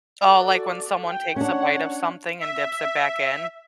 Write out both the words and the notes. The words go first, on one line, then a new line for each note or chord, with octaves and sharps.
Oh, like, when someone takes a bite of something and dips it back in?
F#4 A4 D5
G5
C#4 D4 C#5 F#5
E5